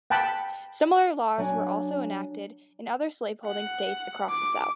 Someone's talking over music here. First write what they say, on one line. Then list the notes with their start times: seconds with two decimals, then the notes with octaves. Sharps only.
Similar laws were also enacted in other slave-holding states across the South.
0.10 F#5 G5 A5 B5
1.38 F#3 D4 G#5
3.46 F#5
4.29 D6